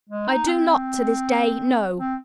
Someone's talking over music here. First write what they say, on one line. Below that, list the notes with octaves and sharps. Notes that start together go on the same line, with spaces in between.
I do not to this day know.
G#3
D#4
C4
C4